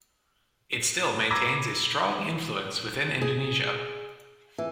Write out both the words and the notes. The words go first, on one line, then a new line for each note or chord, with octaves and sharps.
It still maintains a strong influence within Indonesia.
A#5 B5 D6 E6 G#6 A#6
G#4
E3